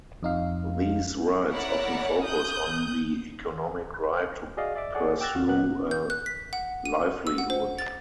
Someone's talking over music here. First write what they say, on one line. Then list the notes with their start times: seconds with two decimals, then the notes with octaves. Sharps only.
These rights often focus on the economic right to pursue a livelihood.
0.23 F2 D#4 F5
1.51 E4 A#4 C#5 D5 F#5
2.25 D#6 F#6 G6
4.57 F#4 G#4 D5 D#5 F5
4.76 D5 E5 D6
4.95 G#4 A4 C#5 D5 F#5
5.20 G5 D6 E6 F#6 A6 A#6
5.35 D#2 F4 F#4 F6
5.47 A#2 B3 A#4 F#6
5.91 G6
6.10 F#6
6.26 B6
6.53 F#5
6.85 D#7
7.27 E6
7.38 F#5
7.50 C5
7.79 A6